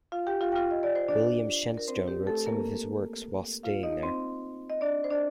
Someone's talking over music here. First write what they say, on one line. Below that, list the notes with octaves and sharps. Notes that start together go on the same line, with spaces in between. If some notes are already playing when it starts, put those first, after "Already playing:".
William Shenstone wrote some of his works whilst staying there.
F4 F5
G4 G5
F4 F5
G5
F4 F5
D#5
D5
C5
D4 D5
A#4
C4 C5
G4
A3 A4
A#3 A#4
F4 F5
D#4 D#5
C4 C5
D#5
D4 D5
C5
D4 D5